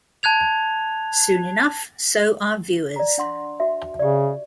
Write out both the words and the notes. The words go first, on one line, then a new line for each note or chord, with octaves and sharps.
Soon enough, so are viewers.
A5 F#6 G#6 F7
D5 A#5
D4 F#5 C6
F#4 E5
C#3 G4 D5